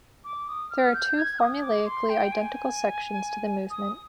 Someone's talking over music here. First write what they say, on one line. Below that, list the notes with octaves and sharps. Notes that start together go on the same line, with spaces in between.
There are two formulaically identical sections to the movement.
D6
D#6
F6
G6
G#6
D#6
D6
C6
G5
G#5
D#6